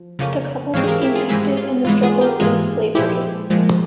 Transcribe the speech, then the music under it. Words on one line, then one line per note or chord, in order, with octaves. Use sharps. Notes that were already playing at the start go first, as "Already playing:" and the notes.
The couple became active in the struggle against slavery.
Already playing: F3
F2 C#3 F3 A#3 C#4
G#2 E3 G#3 C4 C#5 F5
G#4
G4 A#4
E4 G4
F4 G#4
G#2 E3 G#3 C4 E4 G4
F4
G#2 E3 G#3 F4
F4 G#4
G4 A#4
G#2 E3 G#3 F4 G#4
A#2 F3 G#3 E4 G4
A#2 F3 G#3